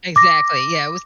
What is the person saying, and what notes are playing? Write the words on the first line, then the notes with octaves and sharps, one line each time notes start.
Exactly. Yeah, it was
D6 A#6